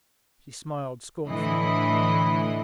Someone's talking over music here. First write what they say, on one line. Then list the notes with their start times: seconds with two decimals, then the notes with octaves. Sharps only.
She smiled scornfully.
1.26 A2 D3 E3 E4 D#5 B5